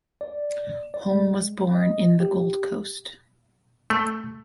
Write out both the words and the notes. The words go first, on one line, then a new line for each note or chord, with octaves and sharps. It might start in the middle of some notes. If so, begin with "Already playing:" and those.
Holm was born in the Gold Coast.
D5
D5
G#3
D#5
G4
A3